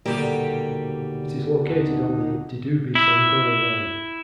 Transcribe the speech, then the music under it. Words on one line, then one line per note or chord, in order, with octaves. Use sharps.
It is located on the Didube-Samgori line.
D#1 B2 D3 G3 A#3 G4 D5
D#2 D#4 F#5 A5
E4